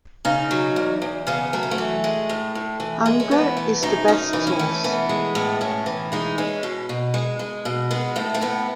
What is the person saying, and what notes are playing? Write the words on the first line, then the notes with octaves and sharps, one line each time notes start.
Hunger is the best sauce.
C#3 D#4
F#3
E2
E2
C#3 B3
F#3 A3
B3
A3
E3
G#3
A2
A2
E3
G#3
C#4
E3 B3
A3
F#2 D#4
F#2 D#4
E3
C#4
A3
E3 B3
G#3
A2
A2 C#4
E3
G#3 D#4
G#3 C#4
B2
B2
G#3
G#3
B2
G#3 B3
A2 A3
A3
A2 B3